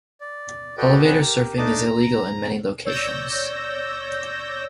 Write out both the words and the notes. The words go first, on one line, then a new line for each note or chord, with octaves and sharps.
Elevator surfing is illegal in many locations.
D5
F#4 A4 B4 D5 D#5 G5
C4 D4 G#4 B4 F#5
G4 A#4
A3 D4 D#4 D#5 A5 D6
A#5
C#5 D5 E6 G6 A#6